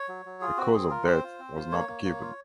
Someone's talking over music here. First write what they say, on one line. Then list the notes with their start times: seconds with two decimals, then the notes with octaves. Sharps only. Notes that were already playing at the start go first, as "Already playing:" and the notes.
A cause of death was not given.
Already playing: C#5
0.08 F#3
0.26 F#3
0.41 F4 G#4
0.57 C4 F#4
0.74 C4 G#4
0.90 F4 A#4
1.06 C4 C5
1.23 F4
1.39 C4
1.56 F4
1.72 A#3 C#5
1.89 A#3
2.05 A#3
2.21 F4